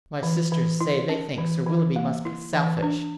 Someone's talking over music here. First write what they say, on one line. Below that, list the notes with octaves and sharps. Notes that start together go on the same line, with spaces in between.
My sisters say they think Sir Willoughby must be selfish.
E3
E3
E4
C#4
E3
E3
A#3
E4
E3
D4